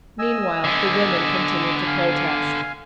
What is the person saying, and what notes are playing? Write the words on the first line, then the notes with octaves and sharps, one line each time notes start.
Meanwhile the women continued to protest.
D#5 G#5 E6
D3 B3
F5 G#5